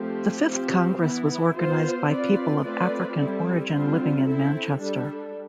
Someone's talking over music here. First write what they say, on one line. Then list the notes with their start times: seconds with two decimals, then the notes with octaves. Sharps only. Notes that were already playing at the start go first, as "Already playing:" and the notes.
The fifth congress was organized by people of African origin living in Manchester.
Already playing: F3 A3 C4 G4
0.46 F3 C4 G4
1.00 E3 B3 E4
1.54 B3 F4 C5
2.09 C4 F4 B4 D5
2.63 A3 C4 F4 B4 D5
3.18 G3 C4 E4 A4
3.72 D3 G3 C4 F4
4.26 C4 E4 A4
4.81 G3 D4 A4